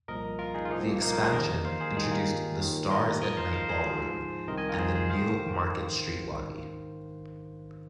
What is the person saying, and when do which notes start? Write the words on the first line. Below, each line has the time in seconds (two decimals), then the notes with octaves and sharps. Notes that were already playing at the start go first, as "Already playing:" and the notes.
The expansion introduced the "Stars at Night" ballroom and the new Market Street lobby.
0.08 C2 A#2 F3 A#4 D#5
0.39 F4 A#4
0.54 D#4 G#4
0.65 F4
0.70 F3 A#3 D#4
0.73 C2 A#2
0.81 C4
0.91 A#3
1.02 A#3 D#4
1.12 F4 A#4
1.23 G#4 C5
1.33 D#2 D#3 A#4 D#5
1.65 C5 F5
1.80 G#4 C5
1.96 D#2 D#3 D#4 G#4
2.11 F4 A#4
2.60 D#2 D#3
2.90 A#4 D#5
3.21 G#2 F3 A#4 D#5
3.37 C5 F5
3.53 C5 F5
3.69 G#4 C5
3.85 G#2 F3
4.47 C2 C3 D#3 A#4 D#5
4.58 D#5 G#5
4.69 F4 A#4
4.79 G#4 C5
4.95 G#4 C5
5.10 G#2 D#3 C5 F5